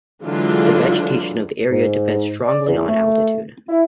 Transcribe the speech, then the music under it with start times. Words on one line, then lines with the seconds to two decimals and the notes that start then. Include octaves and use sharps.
The vegetation of the area depends strongly on altitude.
0.24 D3 E3 F#3 G#3 D4 F4
1.70 G#2
2.45 D5
2.68 E2
2.88 A3
3.69 E4